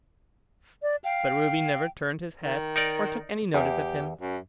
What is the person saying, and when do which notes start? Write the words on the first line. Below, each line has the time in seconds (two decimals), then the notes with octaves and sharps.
But Ruby never turned his head, or took any notice of him.
0.83 D5
1.04 F5 G5
2.44 D#3
2.76 D#4 A#4 D5
3.54 E2 G4
4.21 F#2